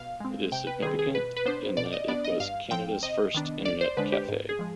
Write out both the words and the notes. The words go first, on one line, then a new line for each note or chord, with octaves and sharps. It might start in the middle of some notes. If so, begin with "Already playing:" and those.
It is significant in that it was Canada's first internet cafe.
Already playing: B2 F5
G#3 C4
C3 G5
B4
D#3 G3 C4 G#4
G#4
B2 B4
B4
B3 D4 C5
B2 D5
D#5
B3 D4 D5
D#5
G2 F5
F3 C4 G5
C3 D#5
D#3 B3 D4
D2 D5
C5
D3 G#3 D4 B4
G4
G#2
G#4
F3 G#3